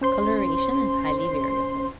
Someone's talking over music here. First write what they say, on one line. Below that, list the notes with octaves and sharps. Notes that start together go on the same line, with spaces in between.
Coloration is highly variable.
C#4 C5 C6